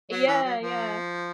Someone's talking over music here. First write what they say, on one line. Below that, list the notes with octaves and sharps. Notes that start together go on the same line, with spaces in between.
Yeah, yeah,
F#3
E3
F#3
F3